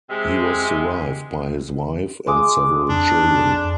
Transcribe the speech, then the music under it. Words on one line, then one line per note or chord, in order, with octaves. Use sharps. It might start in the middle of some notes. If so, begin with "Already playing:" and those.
He was survived by his wife and several children.
C3 G#3
G#3 D6 D#6
F2 D4